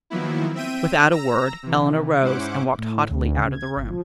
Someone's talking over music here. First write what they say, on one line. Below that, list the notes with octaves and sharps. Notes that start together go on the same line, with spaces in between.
Without a word Eleanor rose and walked haughtily out of the room.
D#3 F3 F#3 A#3 B3 E4
C4 E5 G5 D#7
A#5 E6 A#6
C3 E3
G#2 C#4 E4 C5 F#5 D6
A2
D2
C#3
G#6
G1
F3